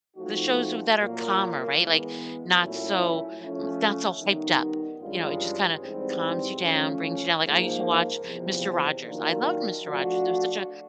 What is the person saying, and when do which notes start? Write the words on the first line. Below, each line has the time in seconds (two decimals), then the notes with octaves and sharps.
the shows w that are calmer, right, like, not so n not so hyped up, you know, it just kinda calms you down, brings you down, like, I used to watch Mister Rogers, I loved Mister Rogers, it was such a
0.15 F3 A3 C4 D#4 F#4
0.96 A#2 F#3 A#3
1.76 E3 G#3 B3
2.58 A#2 F#3 A3 C#4 E4
3.39 F3 A3 C#4
4.19 D#3 G3 B3 D#4
5.00 G2 E3 G#3 C#4 F4
5.81 G#2 E3 G3 C4
6.61 F3 A3 C#4
7.42 G#2 F3 A#3
8.23 E2 C3 F3
9.04 D#3 F#3 A#3 D4 F4
9.84 F3 A3 D4 F#4